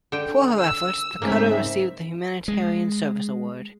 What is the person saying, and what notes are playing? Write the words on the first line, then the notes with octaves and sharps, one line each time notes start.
For her efforts, the cutter received the Humanitarian Service Award.
D3 G5
E6
G#2 C#3 A#3 C4 E5
G#3